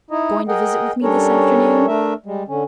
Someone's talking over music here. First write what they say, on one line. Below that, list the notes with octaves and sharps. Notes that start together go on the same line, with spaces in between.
Going to visit with me this afternoon?
D#4 E4 D#5
G#4 A#4 D#5 F#5 G5
G3 C#4 D4 A4 A#4 C#5
A3 D4 A#4 E5
G3 G#3
D3 C#4